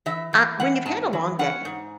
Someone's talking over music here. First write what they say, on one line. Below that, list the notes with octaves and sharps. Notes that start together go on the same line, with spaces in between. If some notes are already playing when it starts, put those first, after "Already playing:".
Ah, when you've had a long day
E3 E5
E3
E3 F#5
G#2 A5
E3
C#4 F#5
G#2